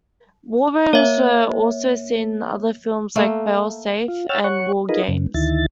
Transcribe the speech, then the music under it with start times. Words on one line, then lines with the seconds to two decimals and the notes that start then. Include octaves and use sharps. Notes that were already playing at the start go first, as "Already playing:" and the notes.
War rooms were also seen in other films like "Fail Safe" and "WarGames".
0.93 A#3 C#5 E5
3.16 A3 A#3
4.08 F4
4.29 C#5 F#5 G5 E6 F6 A6
4.44 C#5 F#5 C#6
4.89 D#4 F4 G#4 A#4 B4 D#5
5.08 F#2 C#3
5.34 D2 D#3 E4 A6